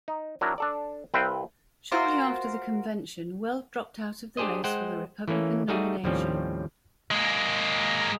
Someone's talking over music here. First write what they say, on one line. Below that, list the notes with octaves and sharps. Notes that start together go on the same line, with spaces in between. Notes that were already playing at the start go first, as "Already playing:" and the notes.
Shortly after the convention Weld dropped out of the race for the Republican nomination.
D#4
F#3 D4 E4 A#4
D4 A4 D5
C2 C4 B4 E5 F5 G5
F4 F#4 A#4 C5
D4 G4 G#4 C5 D#5
G#3 C5 F#5 G5
E3 A3 A#3 C#4
G3 A3 D#4 F#4 G#4
D#2 A2 F3 G3 C4 C#4
G#3 A#3